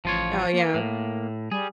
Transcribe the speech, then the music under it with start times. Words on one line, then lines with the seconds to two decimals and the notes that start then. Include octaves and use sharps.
Oh, yeah.
0.05 A1 F3 F4 C#5
0.54 A#3
0.74 A2
1.52 G3 G#4